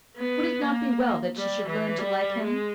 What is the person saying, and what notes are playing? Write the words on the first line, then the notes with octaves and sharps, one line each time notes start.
Would it not be well that she should learn to like him?
B3
A#3
G3
E3
G3
G#3